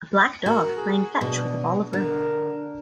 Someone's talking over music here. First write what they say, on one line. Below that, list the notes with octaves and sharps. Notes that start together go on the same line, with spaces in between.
A black dog playing fetch with a ball of rope.
F#4 A#4
G#4
B2 D4
D3 A#4